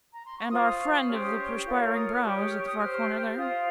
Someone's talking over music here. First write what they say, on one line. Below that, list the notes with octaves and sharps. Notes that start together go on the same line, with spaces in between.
'And our friend of the perspiring brow is at the far corner there?
A#5
C6
C#6
F4 C5 D#6
D#6
C#6
D#6
C#4 G4 C5 F6
D#6
C#6
F4 A#4 C#5
D#6
F6
G4 C#5 C#6
D#6
F6
C#6
D#6
G4 C5 F6
F4 C5 D#6